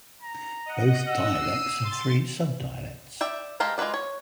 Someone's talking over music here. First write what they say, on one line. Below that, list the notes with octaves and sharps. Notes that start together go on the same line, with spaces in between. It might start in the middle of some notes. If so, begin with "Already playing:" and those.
Both dialects have three subdialects.
A#5
D#5 F#5
E6
C7 D#7
C6 A6
D5 E5 G5
G#3 G4 A4 F5 A#5
G#3 F4 A4 B4 D5
C#5